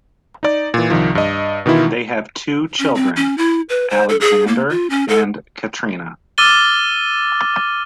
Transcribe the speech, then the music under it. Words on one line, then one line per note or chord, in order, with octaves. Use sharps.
They have two children, Alexander and Katrina.
D#4 D5
A#2 E3
C2 D#3 F3
G2 D#5
B2 D#3 E3 E4 F4
C#4
C4
C#4
E4
B4
C5
A4
G#4
A#3
F4
C#4
A4
D6 E6 F6 A6 D#7 G7